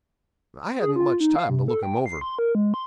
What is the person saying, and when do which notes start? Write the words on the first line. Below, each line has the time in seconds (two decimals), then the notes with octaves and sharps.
I hadn't much time to look him over.
0.79 G#4
0.96 F4
1.20 D#4
1.36 F5
1.50 C3
1.68 A4
1.83 G5
2.06 C7
2.21 C6
2.39 A#4
2.55 G#3
2.74 C6